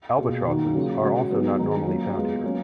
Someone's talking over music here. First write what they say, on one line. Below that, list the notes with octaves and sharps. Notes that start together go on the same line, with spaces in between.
Albatrosses are also not normally found here.
B2 A#3 F4 G#4
D#3 A#3 D#4 F#4
C#3 F#3 A#3 F4 G#4
C#3 G#3 C#4 F#4
F#3 B3 D#4 G#4
D#3 G#3 D#4
F#3 A#3 C#4 F4
G#3 B3 F4
F#3 A#3 C#4